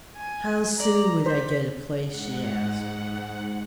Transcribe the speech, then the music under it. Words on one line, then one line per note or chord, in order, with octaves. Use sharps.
"How soon would I get a place?" she asked.
G#5
D5 A#5
C5 B6
G#2 F#5